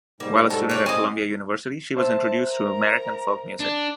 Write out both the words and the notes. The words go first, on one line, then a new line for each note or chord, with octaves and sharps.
While a student at Columbia University, she was introduced to American folk music.
G#2 G3 A#3
F#3 A4 A5
C#5 D5
C4 D#4 G#5 D6 D#6
C5 E5 A5
A#4 A#5
D4